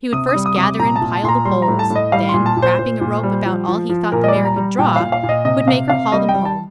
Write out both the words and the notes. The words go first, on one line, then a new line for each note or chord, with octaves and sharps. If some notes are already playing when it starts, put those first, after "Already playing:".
He would first gather and pile the poles; then, wrapping a rope about all he thought the mare could draw, would make her haul them home.
C3 D#6
D#6
G3
D#6
C3 D#6
D6
A#2 A#5
A5
A#2
A5
A#2 A#5 C6
G3 C6
A#5
A2
A5
A2
D#5
G3 F5
A#2 C6
A5
A#2
C5
A#2 C5
A#2
G3
F3
F3
F3
A#2 A#4
D#5
D5
G3
A#5
G3
A#2 G5
A#2 F5
F5
A#2
D#5
C3 D#5
C3 F5
C3 F5
G3 D#5
G5
G3
A5